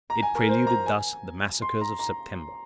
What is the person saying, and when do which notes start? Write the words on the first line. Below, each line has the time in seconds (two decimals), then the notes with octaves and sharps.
It preluded thus the massacres of September.
0.10 A#5
0.22 G#5
0.35 A#4
0.49 C5
0.67 A#5
0.86 G#5
1.62 C6
1.81 A#5
1.99 A#5